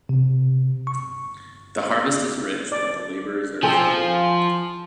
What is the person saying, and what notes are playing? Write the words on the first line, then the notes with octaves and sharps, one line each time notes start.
The harvest is rich... but the laborers are few.
C3
C#6
D5
F3 G#4 A4 G5 G#5